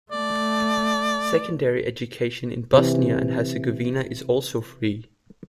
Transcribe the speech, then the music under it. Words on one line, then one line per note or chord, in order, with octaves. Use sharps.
Secondary education in Bosnia and Herzegovina is also free.
A3 D5
C3 E3